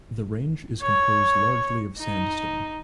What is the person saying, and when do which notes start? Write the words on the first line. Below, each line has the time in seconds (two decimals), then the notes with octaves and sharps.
The range is composed largely of sandstone.
0.82 C#5
1.99 D#4